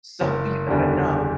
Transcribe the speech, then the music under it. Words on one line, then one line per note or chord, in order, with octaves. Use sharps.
So you gotta know
F#1
E2 D3 G3